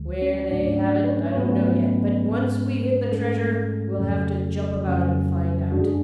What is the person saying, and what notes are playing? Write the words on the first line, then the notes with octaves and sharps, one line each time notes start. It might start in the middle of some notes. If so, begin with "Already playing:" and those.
Where they have it, I don't know yet; but once we hit the treasure, we'll have to jump about and find out.
Already playing: D2 D3 G#3
C#4 C#5
G#2 F#3 A3 C#4 D4 D5
D4 D5
B4
C#4 C#5
C#5
G#2 F#3 A3 B3 C#4 B4
G#2 G#3 C#4
G#2 G#3 A3 C#4 A4
F2 C#3 F#3 C#4
F2 C#3 F#3 C#4
F#2 D3 G#3 D4 F#4
G#4